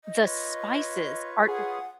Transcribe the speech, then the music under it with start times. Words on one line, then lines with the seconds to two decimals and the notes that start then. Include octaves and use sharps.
the spices are,
0.05 D#5
0.26 F4 B4 C#5
1.48 G#4 F#5